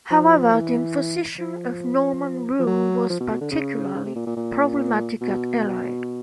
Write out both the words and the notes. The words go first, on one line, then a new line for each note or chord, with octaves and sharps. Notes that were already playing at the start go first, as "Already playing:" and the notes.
However the imposition of Norman rule was particularly problematic at Ely.
F3
E3
F3
F3
F#3
F3
B2
B2
D3
C#3
C#3
C3
A#2
A#2
A#2
B2